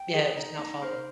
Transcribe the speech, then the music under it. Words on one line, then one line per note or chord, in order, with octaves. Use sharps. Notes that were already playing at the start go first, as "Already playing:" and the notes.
Yeah, it was not fun.
Already playing: G5
G#4
D#4
D#4
A#4 C5